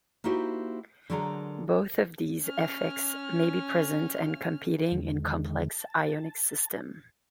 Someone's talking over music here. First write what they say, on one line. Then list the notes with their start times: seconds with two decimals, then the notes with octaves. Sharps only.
Both of these effects may be present and competing in complex ionic systems.
0.24 A#3 D#4 E4 F#4 G4 C5
1.10 D3 F#3 G#3 A4 A#4 A#5
2.44 C#4 F6
4.92 E2 D3 D#3 G#3
5.71 A5